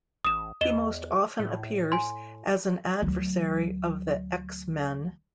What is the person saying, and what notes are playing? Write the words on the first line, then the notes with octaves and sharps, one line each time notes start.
He most often appears as an adversary of the X-Men.
A1 D#6 E7
E2 D#5 E7 G7
A2
G#5 C6
D2 F#3